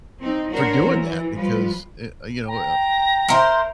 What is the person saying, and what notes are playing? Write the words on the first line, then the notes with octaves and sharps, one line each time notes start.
for doing that because, uh uh you know a a
C4 D#4
D4 F#4 A#4 C5 C#5
E3
F3 G3 F4 B4
G5 A#5
A#4 C5 E5